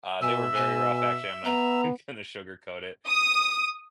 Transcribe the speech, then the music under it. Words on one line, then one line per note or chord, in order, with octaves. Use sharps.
uh, they were very rough, actually, I'm not even gonna sugarcoat it.
B2 E5 G#5 E6
B2 G#5
B3 A#5
D#6